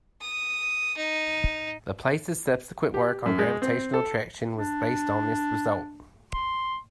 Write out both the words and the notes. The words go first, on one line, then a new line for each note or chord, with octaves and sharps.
Laplace's subsequent work on gravitational attraction was based on this result.
D#6
D#4
G4
F#2
G#3
C4
A4
D4
C6